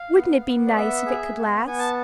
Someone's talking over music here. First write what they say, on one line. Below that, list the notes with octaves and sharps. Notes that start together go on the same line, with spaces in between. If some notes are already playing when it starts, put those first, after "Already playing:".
Wouldn't it be nice if it could last?
Already playing: F5
B3
B3
D5
B3 E5
G#4
B3
B3 G#5
A5